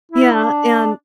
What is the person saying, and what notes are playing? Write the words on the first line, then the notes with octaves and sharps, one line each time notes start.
Yeah, and
E4
D4